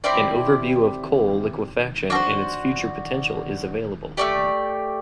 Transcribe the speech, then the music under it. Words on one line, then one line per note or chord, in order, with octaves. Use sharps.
An overview of coal liquefaction and its future potential is available.
C4 E4 G4 D5
D4 F#4 A4 C5
A3 D4 G4 D5